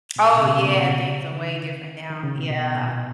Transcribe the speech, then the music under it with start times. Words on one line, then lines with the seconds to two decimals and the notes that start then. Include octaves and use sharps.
Oh, yeah, things are way different now, yeah.
0.16 B2
0.30 A#2
0.37 C#3
0.42 B2
0.55 C#3
0.66 B2
0.77 C#3
1.32 D#3
2.10 D#3
2.23 C#3
2.37 B2
2.50 B2
2.75 A#2
2.88 B2